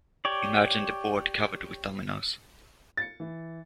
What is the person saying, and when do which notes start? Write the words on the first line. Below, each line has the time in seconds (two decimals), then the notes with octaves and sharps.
Imagine the board covered with dominoes.
0.25 G4 C#5 D5
2.97 A6 C#7
3.20 E3